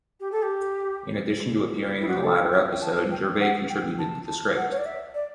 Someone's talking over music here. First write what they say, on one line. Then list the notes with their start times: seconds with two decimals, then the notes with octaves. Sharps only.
In addition to appearing in the latter episode, Gervais contributed to the script.
0.20 G4
0.32 A4
0.43 G4
2.01 E4
2.08 F#4
2.17 G4
2.24 A4
2.53 C#5
2.72 G5
2.82 A5
3.11 G5
3.41 F#5
3.69 G5
3.99 A5
4.27 A5
4.56 F#5
4.71 C#5
4.78 D5
4.86 E5
5.14 D5